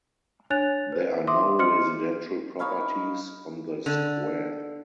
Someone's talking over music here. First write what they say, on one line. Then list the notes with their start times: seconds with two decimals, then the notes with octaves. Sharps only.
There are no residential properties on the Square.
0.50 D4 C#5 G#5 F#6 A6 F7
0.92 B4 C5
1.27 E5 C6 D6 D#6
1.58 F#4 C5 D#5 C6 F6 C#7
2.59 D#4 C#5 F5 B5
3.86 D3